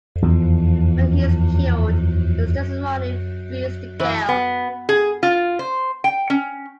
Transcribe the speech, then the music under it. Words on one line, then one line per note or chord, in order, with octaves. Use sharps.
When he is cured, his testimony frees the girl.
E2 F3
E3
B3
G#4
F4
C5
G5
C#4